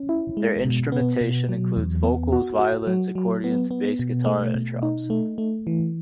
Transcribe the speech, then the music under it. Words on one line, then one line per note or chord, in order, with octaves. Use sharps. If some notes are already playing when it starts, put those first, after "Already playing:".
Their instrumentation includes vocals, violins, accordions, bass guitar, and drums.
Already playing: C#4
E4
G#3
B2
B3
B2
F#3
E2
B3
F#4
F#4
F#3
F#3
B3
B3
B2
A3
B2
D#4
A3
A3
E3